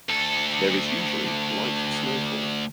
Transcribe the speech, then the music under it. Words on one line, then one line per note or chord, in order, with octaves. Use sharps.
There is usually light snowfall.
D2 A4